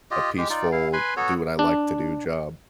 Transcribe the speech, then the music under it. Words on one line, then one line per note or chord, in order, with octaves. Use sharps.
a peaceful "do what I like to do" job.
F4 G4 D#5
G#3 G4
D#4 F4 D5
E4 F5
B4 G#5 B5 C6
B3 F#4 A4 C#5
D4